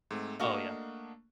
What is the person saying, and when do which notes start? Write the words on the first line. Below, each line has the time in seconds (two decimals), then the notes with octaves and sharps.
Oh, yeah.
0.11 G#2 A3 C4
0.39 A3 A#3 D4 F#4 D#5 F5